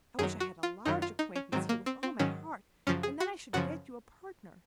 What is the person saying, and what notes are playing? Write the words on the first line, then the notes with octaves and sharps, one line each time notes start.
I wish I had a large acquaintance here with all my heart, and then I should get you a partner.
F#2 D#3 F#3 G#4
F#4
F4
F#2 D#3 F#3 D#4
F4
D#4
C#4
G#2 D#3 F#3 C4
A#3
C4
C4
G#2 D#3 F#3 C#4
F#2 C#3 F3 C#4
G#4
F#4
F#2 C#3 F3 F#4